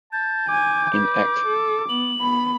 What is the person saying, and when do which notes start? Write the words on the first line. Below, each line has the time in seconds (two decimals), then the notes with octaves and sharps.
In Eq.
0.12 A5 G6
0.49 G#5 D6
0.95 B4
1.47 A4
1.89 B3 F#7
2.19 B3 B5